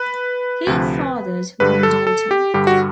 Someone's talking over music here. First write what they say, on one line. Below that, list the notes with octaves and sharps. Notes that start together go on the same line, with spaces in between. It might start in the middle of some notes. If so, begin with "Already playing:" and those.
He fathered one daughter.
Already playing: B4
D2 C3 F3
G2 D3 G3 B4
A4
A4
G4
G2 D3 G3 G4
F#4